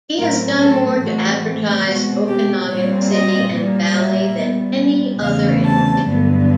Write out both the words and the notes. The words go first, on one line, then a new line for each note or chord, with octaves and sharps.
He has done more to advertise Okanogan city and valley than any other individual.
A2 F#3 A3 C4 A#4
A4
A2 E3 A3 C4 F#4
B2 G#3 C4 F#4
G4
A#2 G3 C4 C#5
D#5
A#2 G3 A#3
E5
A#2 G3 B3
E2 C#3 E3 A3 C4 F5
A5
G2 D3 F#3 B3